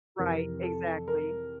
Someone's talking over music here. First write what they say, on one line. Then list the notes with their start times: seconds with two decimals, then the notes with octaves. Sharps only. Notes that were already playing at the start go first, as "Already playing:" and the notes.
Right, exactly.
0.18 F2 C3 E3 A#4
0.63 A4
1.08 A#4